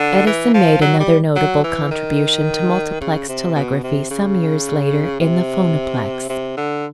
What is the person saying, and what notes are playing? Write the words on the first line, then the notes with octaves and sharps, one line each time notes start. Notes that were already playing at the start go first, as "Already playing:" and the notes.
Edison made another notable contribution to multiplex telegraphy some years later in the Phonoplex.
Already playing: D3
E3
F3
F#3
G3
F#3
E3
D#3
C#3
C3
B2
C3
C#3
C3
C3
D3